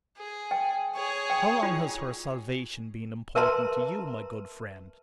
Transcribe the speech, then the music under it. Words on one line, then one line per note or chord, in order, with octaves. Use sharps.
'How long has her salvation been important to you, my good friend?'
G#4
G5
G#4 C#5
G5
F4
A#4 B4 E5 A5 A#5 C6